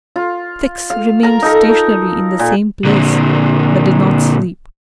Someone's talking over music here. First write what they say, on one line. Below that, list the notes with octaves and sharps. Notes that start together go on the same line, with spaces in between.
Fix remained stationary in the same place, but did not sleep.
F4
F5
A#4 A#5
D#4 A4 A#4
A#2
A#2 D3